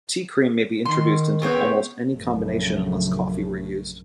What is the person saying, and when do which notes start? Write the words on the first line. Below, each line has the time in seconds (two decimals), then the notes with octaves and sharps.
Tea cream may be introduced into almost any combination unless coffee were used.
0.85 D#3 C6
1.42 C#3 B3 C4 B4 C#5 G5
2.13 A#1 F#2 C#3 A3